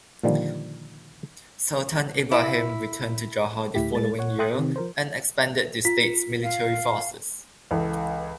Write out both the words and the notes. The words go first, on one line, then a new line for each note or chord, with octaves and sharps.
Sultan Ibrahim returned to Johor the following year, and expanded the state's military forces.
A#2 D3 D#3 F3 G3
E4
D2 A2 E4 G4 B6
G#3 A6
C#5 F#5
A4 E5 G5 C6 D#6 F#6
C3 D#3
F3 A#4 C5
F4 B6
F5
C#2 E3 A4